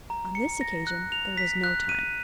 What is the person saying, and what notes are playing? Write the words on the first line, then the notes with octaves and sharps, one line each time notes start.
On this occasion there was no time.
A#5
C#7
A#6
F#6
F7
B6
F#6
D#7